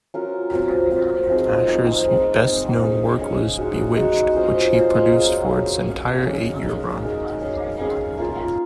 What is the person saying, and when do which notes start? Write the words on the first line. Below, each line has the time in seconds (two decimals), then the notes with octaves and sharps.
Asher's best known work was "Bewitched", which he produced for its entire eight-year run.
0.14 F#3 C#4 F4 A#4
0.52 F#3 C4 F4
0.90 F#3 C4 F4
1.29 F3 C4 D#4 G#4
1.67 F3 C4 D#4 G#4
2.05 G#3 C4 D#4
2.44 G#3 C4 D#4
2.82 C#4 G#4 C#5 F5
3.20 C#4 G#4 C#5 F5
3.58 G#3 D#4 F#4
3.97 G#3 D#4 F#4
4.35 C#4 F4 C5 D#5
4.73 C#4 F4 C5 D#5
5.12 F#3 A#3 C#4 G#4
5.50 F#3 A#3 C#4 G#4
5.88 C#4 F#4 C#5 F5
6.26 C#4 F#4 C#5 F5
6.65 G#3 D#4 A#4
7.03 G#3 D#4 A#4
7.41 C#4 G#4 C#5 F5
7.80 C#4 G#4 C#5 F5
8.18 A#3 F4 A#4